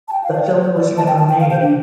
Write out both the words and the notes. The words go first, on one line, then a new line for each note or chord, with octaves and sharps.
The film was never made.
A5
G5
F5
D5
C5
C5
D5
A5
G5
A5
G5
F5
C5
D4